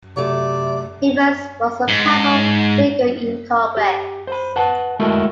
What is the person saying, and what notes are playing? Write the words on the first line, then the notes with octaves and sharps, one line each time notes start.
Evins was a powerful figure in Congress.
C3 F#3 A3 D5
G#2
G4
C5 B5
B4 F#5 A5
G#3 A3 E4 F#4 A4 A#4